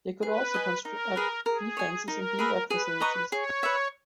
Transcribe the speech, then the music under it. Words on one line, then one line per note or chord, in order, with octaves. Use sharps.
They could also construct defenses and bivouac facilities.
G#4 B4
D#5 G#5
D#4 A#4
G#4 B4
G#4 A#4
C#5 G#5
D#4 A#4
G#4 B4 E5
G#4 B4
D#5 A#5 C#6
G#4 C#5
B4 E5